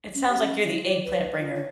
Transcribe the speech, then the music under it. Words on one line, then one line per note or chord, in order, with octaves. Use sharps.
It sounds like you're the eggplant bringer.
C#4
G4
C#4
F4
D5
B4
F4
C#5